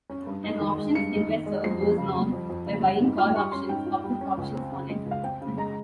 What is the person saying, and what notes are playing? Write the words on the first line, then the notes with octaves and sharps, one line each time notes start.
An options investor goes long by buying call options or put options on it.
C#4
G2
D#4
D#3
G#3
G2 C#7
D#4
D#3
G#3
F2 C7
F2
C#3
G3
F2
F2
C#3
G3
G#2
F4 F6
G3 C#6
C#4 C6
G#2 G5
F4
G3
C#4
C#2
C4
C#3
G#3
C#2
F5
C4 G5
C#3
G#3 A#5